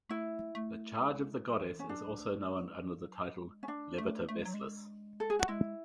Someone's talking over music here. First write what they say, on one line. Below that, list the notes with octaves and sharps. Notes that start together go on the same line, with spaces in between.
The Charge of the Goddess is also known under the title "Leviter Veslis".
A3 E4
A3
G#3
A3
G#3
F#3
E3
C#4
F#3 D4
A3
G#3
E3
G#3
F#3
G#3
C#4
A3 D4
A3
A3
G#3
F#3
G#3
A4
G#4
F#4
G#3 E4